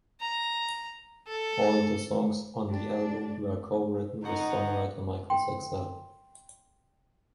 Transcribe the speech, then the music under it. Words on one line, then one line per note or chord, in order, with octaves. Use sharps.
All the songs on the album were co-written with songwriter Michael Saxell.
A#5
A4
D4 G4
F#2 D#4 F#5
G5 C6